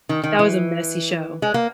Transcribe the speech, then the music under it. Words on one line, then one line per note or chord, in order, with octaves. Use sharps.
That was a messy show.
D#3
D#3
E3
G#3
A#3